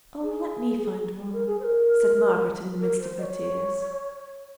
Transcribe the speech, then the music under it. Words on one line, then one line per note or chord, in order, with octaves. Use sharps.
'Oh! let me find one,' said Margaret, in the midst of her tears.
G#4
A#4
G#4
C5
A#4
A#4
C5
D#5
C#5